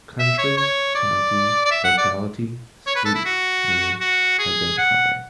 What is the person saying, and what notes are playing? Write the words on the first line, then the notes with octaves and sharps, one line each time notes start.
"Country - County - Locality - Street - Name - Identifier".
E5
C#5
C#5
D5
D5
E5
F#5
D5
C#5
B4
A4
E4
F#4
F#4
G#4
F#5